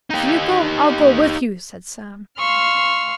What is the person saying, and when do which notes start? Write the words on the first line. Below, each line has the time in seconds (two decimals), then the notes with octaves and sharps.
"If you go I'll go with you," said Sam.
0.10 D#4 G4
2.37 F5 C6 C#6 E6 F6